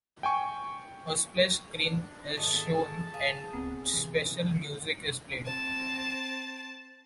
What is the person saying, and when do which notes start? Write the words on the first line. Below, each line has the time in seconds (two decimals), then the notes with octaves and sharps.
A splash screen is shown and special music is played.
0.23 G5 G#5 C#6
1.82 D4
2.37 G#2 D#3 A3 B3 G#4 D#5 A5
3.14 G#4 F5
3.53 D1 C#2 B3 C4
3.93 C3 E3
5.43 C4 A5